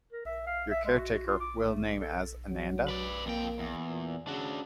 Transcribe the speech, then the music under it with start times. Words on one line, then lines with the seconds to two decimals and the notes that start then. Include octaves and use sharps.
Your caretaker will name as Ananda.
0.12 A#4
0.26 E5
0.46 F5
0.70 E5
0.85 G#3
0.98 F#4
1.26 F4
1.40 D6
1.62 A3
2.00 A4
2.50 F#3
2.88 B4 D5
3.26 F2 A#3 G5
3.59 E2
3.88 A#2
4.27 C#3 D4 F#4